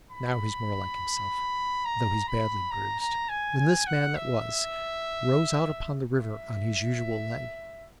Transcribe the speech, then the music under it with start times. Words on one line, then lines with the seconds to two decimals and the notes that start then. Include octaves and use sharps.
Now he's more like himself; though he's badly bruised,--when this man that was, rows out upon the river on his usual lay.
0.11 B5
1.85 A#5
2.28 B5
2.71 A#5
2.99 A#5
3.29 G#5
3.58 G#5
3.87 F#5
4.16 E5
6.18 E5